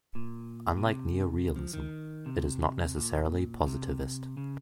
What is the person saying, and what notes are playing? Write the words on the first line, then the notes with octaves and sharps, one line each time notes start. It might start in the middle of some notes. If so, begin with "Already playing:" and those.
Unlike neo-realism, it is not necessarily positivist.
A#2
A#2
C3
F3
D#3
C3
A#2
C3
C#3